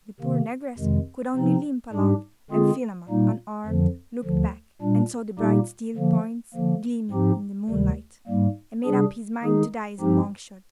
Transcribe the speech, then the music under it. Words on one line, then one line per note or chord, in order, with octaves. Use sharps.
The poor negress could only limp along, and Philammon, unarmed, looked back, and saw the bright steel points gleaming in the moonlight, and made up his mind to die as a monk should.
C3 D#3 A#3
F2 C3 D#3 G#3
C3 F3 C4 D#4
G#2 G3 D4 G4
D3 G#3 C4 F4 G#4
A#2 G3 A#3 D#4
F2 D3 F3
D2 D3 F3
A#2 G3 D4
A#2 G3 A#3 D#4 G4
D3 F3 A#3
D3 F3 A#3
G#2 F3 C4 D#4 G4
D2 C3 D#3 G3
G#2 G3 A#3
C3 G3 D4 G#4
D#3 G#3 D#4 G#4
G2 F3 C4 D#4 G4